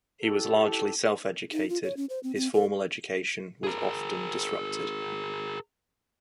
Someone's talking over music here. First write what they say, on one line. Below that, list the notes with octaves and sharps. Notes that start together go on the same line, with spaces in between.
He was largely self-educated: his formal education was often disrupted.
E4 G4 A4
D#4
F4
C#5
C#4
C5
C4
C4
A4
G#4 A#4